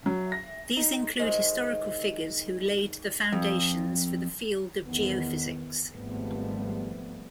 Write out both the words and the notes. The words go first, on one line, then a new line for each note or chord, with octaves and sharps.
These include historical figures who laid the foundations for the field of geophysics.
F#3
A#6
D#4
D#3 G#3 C5
F2
E2 D#3 E3 B3
G#1 F3 G3 A3 B3